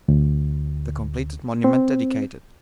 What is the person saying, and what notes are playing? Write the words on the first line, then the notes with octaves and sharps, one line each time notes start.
The completed monument dedicated.
D2
C4